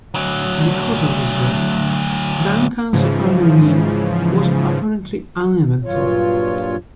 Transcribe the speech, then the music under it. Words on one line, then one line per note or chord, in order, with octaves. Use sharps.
Because of his youth, Duncan's early reign was apparently uneventful.
D2 F#3
G#2 C#3 E3 F3
G2 A#2 F#3 F4 C#5